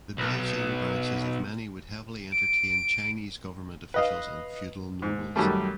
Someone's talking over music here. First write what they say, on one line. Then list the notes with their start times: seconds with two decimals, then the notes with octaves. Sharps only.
The Beijing branches of many would heavily entertain Chinese government officials and feudal nobles.
0.18 B1
2.32 D7
3.94 B4 D#5 F5
5.02 G#2
5.36 F#2 D#3 G3 A3